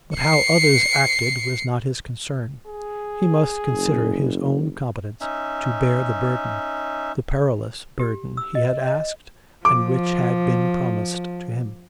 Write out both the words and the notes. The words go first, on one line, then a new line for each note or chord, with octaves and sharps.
But how others acted was not his concern; he must consider his own competence to bear the burden--the perilous burden he had asked, and which had been promised to him.
C7 C#7
G#4
F#1
C#4 D#4 E5
G4
E6
D#5
D#5
F3 D6